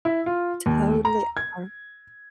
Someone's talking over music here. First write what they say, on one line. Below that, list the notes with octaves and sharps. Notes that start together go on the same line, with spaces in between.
Totally, I
E4
F4
D#2
A#5
G#6